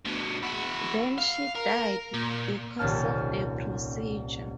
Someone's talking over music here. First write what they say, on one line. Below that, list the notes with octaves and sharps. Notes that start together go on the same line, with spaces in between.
Then she died because of the procedure.
D2 B2
E4 F#4
F5
A#4
A#2
D#1 C2 C#4 A5 F6